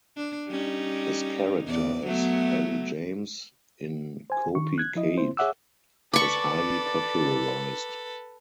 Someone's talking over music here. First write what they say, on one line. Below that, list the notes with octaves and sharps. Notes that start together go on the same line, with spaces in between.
His character as "Ali James" in "Kopi Kade" was highly popularized.
D4
G3 C#4 D#4
E2 D5
F#3 A3 B3
C5 G#5
D#3 C#6
F#6 G#6
F3 E4 D#5
A#3 C4 E4 C5
G#4 C#5 E5 F#5 D6 E6
A4 B4 D5 B5 C#6 D6 C#7